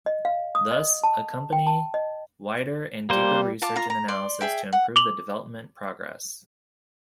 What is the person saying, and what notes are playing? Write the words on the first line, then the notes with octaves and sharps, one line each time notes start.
Thus, accompany wider and deeper research and analysis to improve the development progress.
D#5
F5
D#6
D#5
A5
G5
A5
D#5
G3 A#3 C5
F4 A5 D6
F4 A#5
A#5
D5 C6
G#4 E5 G5
F#5
D6 F7 F#7